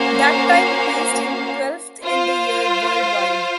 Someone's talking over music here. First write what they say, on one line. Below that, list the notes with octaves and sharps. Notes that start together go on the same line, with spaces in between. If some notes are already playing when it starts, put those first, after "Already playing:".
That time placed him twelfth in the year worldwide.
Already playing: A#3 C#4 F#4 C5 F5
F4 C5 F5